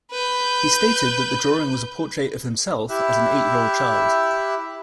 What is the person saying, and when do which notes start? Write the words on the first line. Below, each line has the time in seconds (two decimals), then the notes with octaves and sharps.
He stated that the drawing was a portrait of himself as an eight-year-old child.
0.11 B4 G6
2.89 E4 G4 E5 E6 F#6